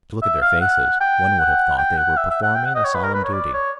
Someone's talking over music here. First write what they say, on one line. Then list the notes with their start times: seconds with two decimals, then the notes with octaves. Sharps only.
To look at their faces one would have thought they were performing a solemn duty.
0.22 E5
0.42 F5
0.61 F#5
1.01 G5
1.39 F#5
1.78 G5
1.97 F#5
2.17 E5
2.31 E5
2.43 F#5
2.55 G5
2.66 F#5
2.75 D#5
2.85 C#5
2.95 B4
3.04 A#4
3.14 B4
3.24 C#5
3.34 D5
3.54 C#5